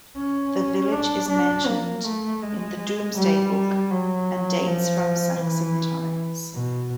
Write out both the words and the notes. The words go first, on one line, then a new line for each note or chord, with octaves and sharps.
The village is mentioned in the "Domesday Book" and dates from Saxon times.
C#4
D4
D4
A#3
A3
G#3
G3
F#3
F3
E3
B2